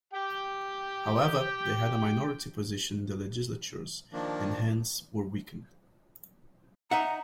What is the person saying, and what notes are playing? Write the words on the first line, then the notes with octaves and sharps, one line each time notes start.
However, they had a minority position in the legislatures and hence were weakened.
G4 G5
D#3 F3 A#3 D4
D#4 E5 F#5 A#5